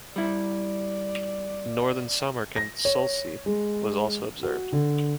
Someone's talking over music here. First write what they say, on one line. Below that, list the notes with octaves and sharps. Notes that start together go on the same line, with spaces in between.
Northern Samarkand Sulci was also observed.
G3 E4 D5
A#6
C#5
G#3
F#4
D3